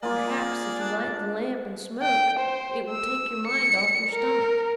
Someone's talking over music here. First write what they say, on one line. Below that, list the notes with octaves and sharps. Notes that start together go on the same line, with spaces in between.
"Perhaps if you light the lamp, and smoke, it will take your mind off your stomach."
A#3 F4 G#4 D5
D4
G5
C5
E6
C#7
A#4